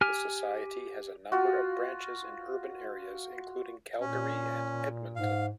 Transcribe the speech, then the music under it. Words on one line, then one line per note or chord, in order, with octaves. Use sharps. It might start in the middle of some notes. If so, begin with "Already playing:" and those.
The society has a number of branches in urban areas, including Calgary and Edmonton.
G4 G#5 F6
F4 F#4
A#2 C#4
G#2 F5